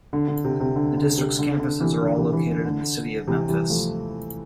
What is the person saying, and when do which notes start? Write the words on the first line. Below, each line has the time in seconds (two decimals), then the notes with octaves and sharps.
The district's campuses are all located in the city of Memphis.
0.13 D3
0.28 D3
0.44 C3
0.60 C3
0.76 D3
0.97 D3
1.18 C3
1.39 D3
1.60 D3
1.80 C3 E3
2.01 D3
2.17 C3 E3
2.33 C3 E3
2.49 D3
2.65 D3
3.27 C3 E3
3.49 E3 G3
3.70 F3 A3